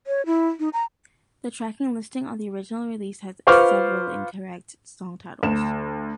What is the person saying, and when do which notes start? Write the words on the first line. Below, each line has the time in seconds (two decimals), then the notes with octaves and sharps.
The track listing on the original release has several incorrect song titles.
0.07 C#5
0.26 E4
0.60 D#4
0.73 A#5
3.47 F4 B4 C5 C#6 D6 F6
5.43 D2 E7